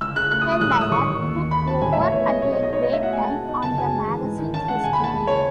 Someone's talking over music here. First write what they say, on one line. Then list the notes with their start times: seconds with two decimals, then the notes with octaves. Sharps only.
Hellyer took over at a great time on the magazine's history.
0.01 C#2 E6
0.16 C#3 F#6
0.31 A3 F#6
0.41 D#6
0.46 F#3
0.52 D#6
0.61 A1 F#6
0.72 E6
0.76 G#2
0.81 D#6
0.91 A1 C#6
1.07 D#3
1.22 D#2
1.36 D#3
1.51 D#2 B5
1.67 F#3 A5
1.81 A1 G#5
1.93 E5
1.97 A2 C#5
2.12 B3 C#5
2.27 G#3 D#5
2.42 B1 C#5
2.52 D#5
2.57 B2
2.63 D#5
2.73 D#4 C#5
2.83 D#5
2.87 A3
2.93 E5
3.03 B2 F#5
3.13 G#5
3.18 G#3
3.23 A5
3.33 B2
3.48 D#4
3.62 F#1 A5
3.78 F#2 G#5
3.93 G#3
4.08 E3
4.23 G#2
4.39 D#3
4.53 C#4 A5
4.68 G#3 F#5
4.84 E1 G#5
4.93 B5
4.99 D#2 A5
5.14 G#3
5.27 C#3 C#5